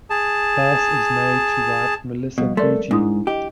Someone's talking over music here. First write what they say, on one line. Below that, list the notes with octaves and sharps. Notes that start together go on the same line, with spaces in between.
Bass is married to wife, Melissa Prejean.
G#4 A5
B2 F3 G3
A3 A#4 D5 C6
G#2 D4 E4 D#6
G4 D#5